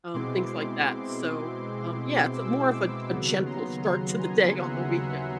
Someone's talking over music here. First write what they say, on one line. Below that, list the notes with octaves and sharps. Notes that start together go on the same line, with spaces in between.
um, things like that so, um, yeah, it's more of a a gentle start to the day on the weekend.
B2 G#3 C4 E4 C6 D6
D6 E6
D6 E6
D#2 C#3 F#3 B3
A#5 C6
G#5 A#5
E5 F#5
E5 F#5